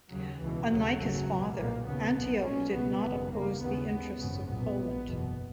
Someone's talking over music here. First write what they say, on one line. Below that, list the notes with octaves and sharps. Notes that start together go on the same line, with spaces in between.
Unlike his father, Antioch did not oppose the interests of Poland.
D#2 C#3 F#3
C#2 B2 E3
D#2 C#3 F#3
G#1 F#2 C#3
C#2 B2
B1 A#2 A#3
D#2 C#3 B3
B1 A#2
B1 A#2 C#4
C#2 B2 B3
G#1 F#2 C#3
D#2 C#3 A#3
D#2 C#3 B3
D#2 C#3
G#1 F#2 C#3
B1 A#2 B3
A#1 A#2
F#1 E2 B2